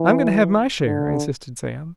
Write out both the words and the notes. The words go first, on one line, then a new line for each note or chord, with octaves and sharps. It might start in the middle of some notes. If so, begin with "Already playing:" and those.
"I'm going to have my share!" insisted Sam.
Already playing: E3
D3